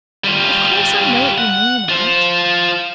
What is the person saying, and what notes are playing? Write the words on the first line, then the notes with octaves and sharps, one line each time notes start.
"Of course, I know what you mean, aunt?"
G3 F4
F#5
F4 C5